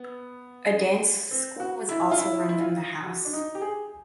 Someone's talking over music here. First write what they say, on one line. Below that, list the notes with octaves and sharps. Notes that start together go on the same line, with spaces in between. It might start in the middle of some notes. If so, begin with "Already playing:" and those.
A dance school was also run from the house.
Already playing: B3
C4
F#4
E4
F4
E4
E4
F4
F#4
D4
D#4
G4
G#4